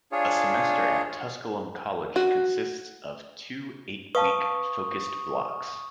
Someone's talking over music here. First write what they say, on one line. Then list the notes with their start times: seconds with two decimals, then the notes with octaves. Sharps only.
A semester at Tusculum College consists of two eight-week Focused Blocks.
0.12 D4 F4 G#4 C#5
2.16 F#4
4.15 B4 F5 A5 C#6 D#6